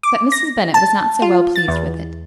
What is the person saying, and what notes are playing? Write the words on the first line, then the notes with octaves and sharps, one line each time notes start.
But Mrs. Bennet was not so well pleased with it.
D6
A#6
A5
F4
A6
E2